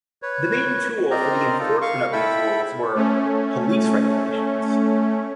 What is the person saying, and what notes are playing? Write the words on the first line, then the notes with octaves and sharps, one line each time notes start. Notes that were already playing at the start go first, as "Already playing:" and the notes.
The main tool for the enforcement of these rules were "police-regulations".
B4 C#5
C4 A#4 C5 D5 D#5 A#5
D#4 F4 A4
F5 C#6
E4 A4 E5 G5 B5
A3 C#4